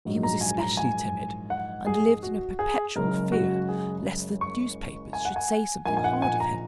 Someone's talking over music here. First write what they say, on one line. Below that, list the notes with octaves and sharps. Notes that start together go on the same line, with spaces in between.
He was especially timid, and lived in a perpetual fear lest the newspapers should say something hard of him.
A#1 G#2 F#3 D#4
A#5
G#5
A#5
G#5
F#5
G#4
F#4
G#4
F#1 F#2 C#3 G#3 A#4
F#4
G#4
C#6
G#5
F#5
G#5
A#1 A#2 A#3 D#4 G#5
G#5
F#5
G#5
A#5